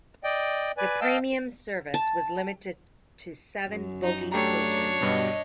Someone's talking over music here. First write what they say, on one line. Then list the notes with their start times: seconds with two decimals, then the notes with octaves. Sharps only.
The premium service was limited to seven bogie coaches.
0.24 D5 D#5 G5
0.77 B4 D5 G#5
1.01 D#5 F5 G5 A5 E6
1.94 A5
3.68 F#2
4.03 D#4
4.32 A3 D4 G4 C#5 A#5
5.01 G2 B2 G3 D#5